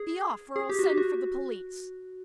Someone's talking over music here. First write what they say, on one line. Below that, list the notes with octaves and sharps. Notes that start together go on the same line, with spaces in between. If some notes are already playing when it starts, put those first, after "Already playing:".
Be off, or I'll send for the police.'
Already playing: G#4
G#4
G4
F#4
G4
F#4